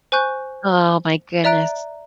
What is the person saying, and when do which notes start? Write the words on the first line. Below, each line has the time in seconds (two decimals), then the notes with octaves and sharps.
Oh my goodness.
0.12 C5 G#5 C#6 F#6 G6
1.44 D5 E5 A#5 F#6 D7